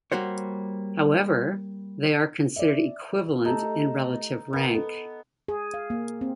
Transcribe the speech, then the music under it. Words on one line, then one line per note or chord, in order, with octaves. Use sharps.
However, they are considered "equivalent" in relative rank.
G3 A#3 F#4 C5 C#5
D5 E5
A3 D#4 G4 A4
B3 A#4
A4
G#4
F5
A#3
C4